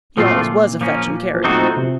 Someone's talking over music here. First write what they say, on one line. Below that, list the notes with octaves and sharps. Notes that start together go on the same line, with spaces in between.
He always was a fetch-and-carry.
A#2 F3 A3 C4 F4
F3 A#3 C#4
F3
F#3 A3 C4 D#4 F#4 A4
F3
C3